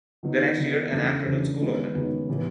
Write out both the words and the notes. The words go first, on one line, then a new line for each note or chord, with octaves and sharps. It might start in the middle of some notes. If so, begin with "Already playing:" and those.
The next year, an afternoon school opened.
D#3 F#3 B3 D#4
D#3 F#3 B3 D#4
F#2 C#3 E3 A3 D4
F#2 C#3 E3 A3 D4
F#2 D#3 G#3 B3 D#4
F#2 D#3 G#3 B3 D#4
A2 E3 G3 B3